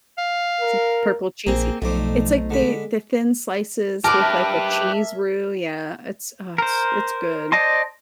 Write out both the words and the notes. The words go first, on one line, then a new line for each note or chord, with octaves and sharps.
T purple cheesy. It's, like, they, the thin slices with like a cheese roux, yeah, it's, uh, it's good.
F5
A#4
A#1 A#3 C4 G#4
B1 F2 A3 D#4 C5 D5
D3 G#3 B5
G4 A#4 B4 A5 D6
E5
A#4 C5
C5 D5 D#5 A5 C6